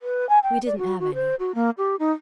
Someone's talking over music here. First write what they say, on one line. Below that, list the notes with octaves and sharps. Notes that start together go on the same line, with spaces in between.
"We didn't have any."
B4
G#5
G5
D5
F#4
F#4
C5
F#4
A#3
G4
D#4